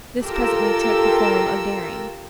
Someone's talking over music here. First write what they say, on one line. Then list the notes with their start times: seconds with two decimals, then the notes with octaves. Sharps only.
This presently took the form of "daring."
0.22 F4 G4 A4 A#4 E6